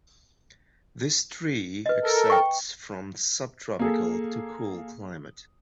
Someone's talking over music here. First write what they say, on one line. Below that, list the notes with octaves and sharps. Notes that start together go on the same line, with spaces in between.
This tree accepts from subtropical to cool climate.
B4 D#5
A4 A#4
G5 C#6
A#3 G#4 A4